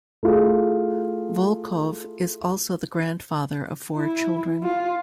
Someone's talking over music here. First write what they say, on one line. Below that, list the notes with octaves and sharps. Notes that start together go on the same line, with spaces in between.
Volkov is also the grandfather of four children.
A3 E4 F4 G#4
E4
F4